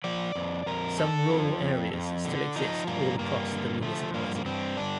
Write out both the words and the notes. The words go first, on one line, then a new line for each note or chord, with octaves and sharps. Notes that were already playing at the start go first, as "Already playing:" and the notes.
Some rural areas still exist all across the municipality.
F3 D5
F2
F2 A#4
D3 A4
F3
F2
F2
D3
F3 D#4
G2 A#3
G2 A#3
D3
F3 A3
G2 A#3
A#3
G2 C4
D3 D4